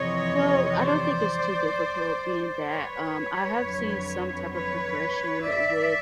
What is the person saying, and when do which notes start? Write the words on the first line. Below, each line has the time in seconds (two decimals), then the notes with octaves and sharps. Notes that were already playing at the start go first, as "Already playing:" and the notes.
Well, I don't think it's too difficult being that, um, I have seen some type of progression with,
Already playing: F2 C3 E3 C#5 D#5
0.83 C5 D5
2.68 B4 C#5
3.61 F2 D3 F#3
4.52 B4 C#5
5.44 D5 E5